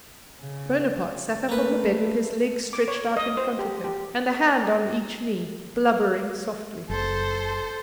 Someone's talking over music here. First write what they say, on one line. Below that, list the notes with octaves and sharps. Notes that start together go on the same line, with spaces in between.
Bonaparte sat up on the bed with his legs stretched out in front of him, and a hand on each knee, blubbering softly.
C#3
A3 A#3 B4
D6
C#5
D#5
C5
G4
G4
F#1 A4 C5